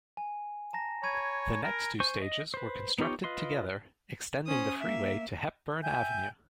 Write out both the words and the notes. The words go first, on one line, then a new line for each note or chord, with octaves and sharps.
The next two stages were constructed together, extending the freeway to Hepburn Avenue.
G#5
A5 A#5 A#6
C#5 B5 G#6 D#7
A#4
C5 G#5 C#6
D#5
B4 C5
B3 D#4 F4 G4 C#5
F4 B4 D#5 C6
C#4 C5 D#6
A#3 E5
E5 G5 G#5 G6